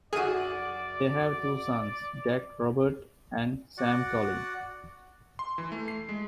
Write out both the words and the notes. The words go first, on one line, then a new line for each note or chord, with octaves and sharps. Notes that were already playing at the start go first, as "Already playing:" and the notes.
They have two sons, Jack Robert and Sam Colin.
F#2 F#4 G#4 D5 D#7
F#4 D5 F#5
C6
E3
A3
C7
G#3